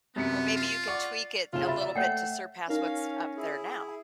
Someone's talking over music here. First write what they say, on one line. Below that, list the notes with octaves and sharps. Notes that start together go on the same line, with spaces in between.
Well, maybe you can tweak it a little bit to surpass what's up there now.
F#2 C3 B3 C#7
F4
D5 F#5 C#6
F1 C#3 F4 E7
E5 B5 A6
D5 E5
A3 C#5 F#5 G5
C#4 D#4 A#4 F5
E4 G#4